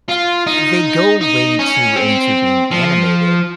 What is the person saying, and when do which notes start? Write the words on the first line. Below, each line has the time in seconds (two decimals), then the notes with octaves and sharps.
they go way too into being animated,
0.09 F4
0.47 D#4
1.21 D#4
1.59 C#4
1.96 C4
2.71 F3